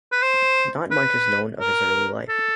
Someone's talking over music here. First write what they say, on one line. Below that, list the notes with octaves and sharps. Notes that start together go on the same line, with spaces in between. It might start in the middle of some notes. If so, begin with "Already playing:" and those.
Not much is known of his early life.
B4
C5
B4
A#4
A4